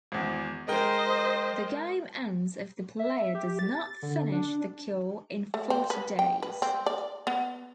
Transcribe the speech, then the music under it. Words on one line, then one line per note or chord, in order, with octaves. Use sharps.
The game ends if the player does not finish the cure in forty days.
G#1 E2
G#3 A#4 C5 D#5 G5
E5
G4
A6
D3
D4
A3
C4
B4
G5
B4
C4
D5
B3